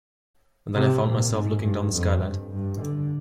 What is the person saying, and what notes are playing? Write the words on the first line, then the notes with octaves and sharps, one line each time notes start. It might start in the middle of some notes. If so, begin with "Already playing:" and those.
And then I found myself looking down the skylight.
C3
A#2
G#2
G2
F2
G2
G2
D3